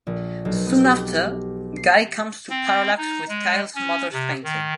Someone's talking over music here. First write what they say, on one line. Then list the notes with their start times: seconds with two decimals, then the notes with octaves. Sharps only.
Soon after, Guy comes to Parallax with Kyle's mother's painting.
0.07 A#1
0.45 B1
0.67 B3
0.84 G4
1.77 C7
2.50 C4
2.98 D#4
3.29 G#3
3.75 C#4
4.13 C3
4.43 D#3